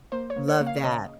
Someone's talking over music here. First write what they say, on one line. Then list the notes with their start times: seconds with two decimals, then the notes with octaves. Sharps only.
Love that.
0.12 A#3 C5
0.30 C#5
0.36 A#3
0.48 C#5
0.61 A#3
0.67 F5
0.78 C#5
0.83 C#3 D#5